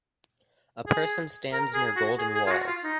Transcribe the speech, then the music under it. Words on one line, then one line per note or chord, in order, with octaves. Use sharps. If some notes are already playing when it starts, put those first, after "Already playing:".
A person stands near golden walls.
G#4
A#4
G#4
F#4
G#4
G#4
F4
F#4
F4
D#4